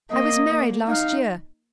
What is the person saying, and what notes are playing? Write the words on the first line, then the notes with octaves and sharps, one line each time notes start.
I was married last year.
A#3 D#5
A#3
D#4 F5